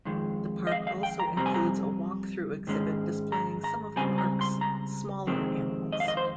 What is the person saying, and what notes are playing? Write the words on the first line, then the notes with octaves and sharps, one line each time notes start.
The park also includes a walkthrough exhibit displaying some of the park's smaller animals.
F2 D#3 G#3
D#5
F5
F5
G5
A#5
F2 C3 G3 C4 A#5
G#5
A#5
G#2 D#3 G#3 C#4
A#5
A#5
C#2 C#3 G3 C4 G#5
A#5
C6
A#5
F2 C3 D#3 G#3 C4
D#5
F5
D#5
C5